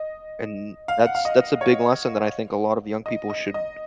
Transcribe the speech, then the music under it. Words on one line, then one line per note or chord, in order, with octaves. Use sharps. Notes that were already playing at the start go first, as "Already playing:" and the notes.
And that's that's a big lesson that I think a lot of the young people should
Already playing: D#5
F5
F#5
F5
D#5
C#5
D#5
D#5
D#5